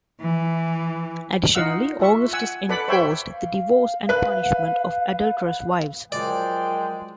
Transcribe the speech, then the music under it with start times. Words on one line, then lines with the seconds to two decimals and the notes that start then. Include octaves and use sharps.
Additionally, Augustus enforced the divorce and punishment of adulterous wives.
0.21 E3
1.55 D#4 F4 D#5 F5 F#5 E6
1.99 F4 E5 C#6
2.33 F#5 G#5 E6
2.69 A4 B4 D5 F#5 B5
2.88 C5 C#5 E5 G5 B5 C6
3.31 F5
4.09 B4 F#6
6.12 F3 F#3 G#3 A#4 D5 G5